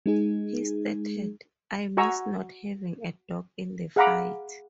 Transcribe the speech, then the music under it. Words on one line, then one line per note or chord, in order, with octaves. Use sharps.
He stated, I miss not having a dog in the fight.
G#3 D#4 G#4
F#4 D#5 G#5 A#5 C#6 E6
G#4 F5 F#5 A#5 B5 D6